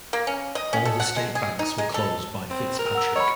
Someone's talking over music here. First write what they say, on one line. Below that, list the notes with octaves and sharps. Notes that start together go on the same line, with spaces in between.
All the state banks were closed by Fitzpatrick.
A#3
C#4
D#5
C#4
A4
F#5
G#3
G#4
D#4
G#3
A4
C4
A#4
F#5 E6
C#5 D#5 B5